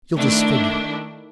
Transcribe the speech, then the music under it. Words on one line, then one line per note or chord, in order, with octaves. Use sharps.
'You'll disfigure.
D#3 A3 D4 E4